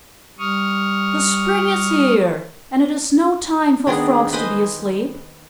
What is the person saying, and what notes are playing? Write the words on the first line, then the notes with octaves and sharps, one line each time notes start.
"The spring is here, and it is no time for Frogs to be asleep."
G3 C#6 D#6 F6
D#3 B3 D4 G#4
B4 C5 D#5 G#5